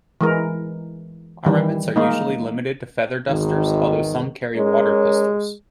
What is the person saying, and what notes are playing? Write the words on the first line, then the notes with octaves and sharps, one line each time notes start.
'Armaments' are usually limited to feather dusters, although some carry water pistols.
E3 G#3 A#4
D#3 E3 G3
G#3 A#3 D#4
G#1 E2 G#2 D#3
G#3 C#4 A#4 C#5